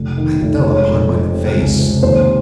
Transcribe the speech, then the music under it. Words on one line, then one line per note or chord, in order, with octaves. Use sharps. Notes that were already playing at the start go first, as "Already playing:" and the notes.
I fell upon my face.
Already playing: F1
D#3
F1
G#3 C#5
F2
F2
C3
C#2
C3
D#2 C5